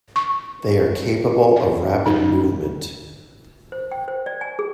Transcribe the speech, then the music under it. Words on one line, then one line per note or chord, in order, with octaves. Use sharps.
They are capable of rapid movement.
C#6
D5
D#4
C5
G5
C5
D5
G#5
G#4